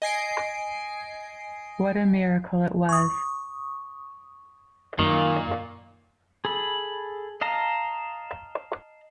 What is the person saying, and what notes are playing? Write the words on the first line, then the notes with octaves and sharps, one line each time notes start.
What a miracle it was!
D#5 G#5 C7 D7
C#6 D#6
F#2 A#2 D#3
G#4 A4 B5
D#5 F5 A5 A#5